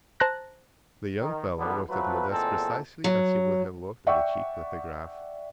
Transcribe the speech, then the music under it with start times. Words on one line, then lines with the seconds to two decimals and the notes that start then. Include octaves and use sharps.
The young fellow looked at Modeste precisely as he would have looked at a cheap lithograph.
0.20 C5 A5 A#5 F#6 A#6
1.21 D#3
1.59 B1 E2 D3 G3 B3
1.90 F3 F#3 A3 B4
2.30 E2 A#2 G#3 C4 A4
3.04 F#3
4.07 D5 E5 F#5 G5 C#6